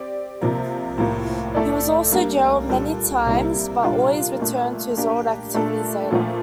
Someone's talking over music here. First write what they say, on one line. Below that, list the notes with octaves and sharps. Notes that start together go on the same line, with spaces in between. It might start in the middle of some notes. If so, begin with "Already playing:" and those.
He was also jailed many times but always returned to his old activities later.
Already playing: C4 G4 D5
C3 F3 A#3
A2 F3 A#3
A3 E4 A4 D5
G3 A#3 D4
A#2 G3 D4 A4
C3 G3 A#3 E4
A#2 G3 D4 F4 A#4
A#2 A3 D4
A#3 D4 G4
A#2 A3 D4 A4
A#2 F3 A3